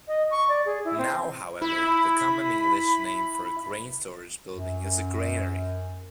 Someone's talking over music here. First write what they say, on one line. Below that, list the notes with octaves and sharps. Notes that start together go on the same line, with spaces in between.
Now, however, the common English name for a grain storage building is granary.
D#5
C#6
D5
G#4
E4
C4
E4 B5
F#2